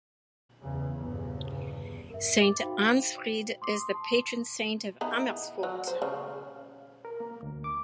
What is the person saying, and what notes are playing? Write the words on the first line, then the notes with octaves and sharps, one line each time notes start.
Saint Ansfried is the patron saint of Amersfoort.
E2 C#3
G1 E2 A#2 C#3
A#4 E5
D6 A6
D#4 F#4 C5 F5 G5 B5
C6 D6 D#6 C7
A5 C6
B3 D#4 E4
F#3
C5
C#3
A#4
A#3
D2
D6